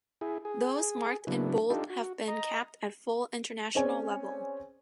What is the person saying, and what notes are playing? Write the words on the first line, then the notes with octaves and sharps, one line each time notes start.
Those marked in bold have been capped at full International level.
E4 G#4
G#4
C#3 F#3 B3 D4 E4
D4 D#4 F4 G4 A4
F#4
D#5 A#5
C4 C#4 G#4 C#5 D5 G#5